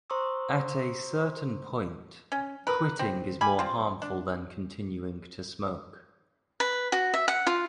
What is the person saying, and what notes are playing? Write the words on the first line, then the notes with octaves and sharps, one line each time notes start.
At a certain point, quitting is more harmful than continuing to smoke.
C5 A#5 C6 C#6 D#6 E6
C#4
A#4 B4
C4
G3 G#5 B5
C4 F4
D4
B4
F#4
E5
F#5
F4